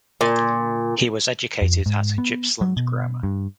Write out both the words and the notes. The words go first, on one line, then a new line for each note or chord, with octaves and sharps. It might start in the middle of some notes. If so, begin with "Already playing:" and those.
He was educated at Gippsland Grammar.
A#2
F2
G#2
B3
F#3
B2
G2